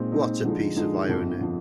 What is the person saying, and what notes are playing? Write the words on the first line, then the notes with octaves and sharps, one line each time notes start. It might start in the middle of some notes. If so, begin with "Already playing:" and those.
What a piece of irony!
Already playing: A#2 G#3 C4 D#4
A#2 G#3 C4 D#4
D3 F3 G#3 D#4
D3 F3 G#3 D#4
G1 F2 D3 F3
D3 F3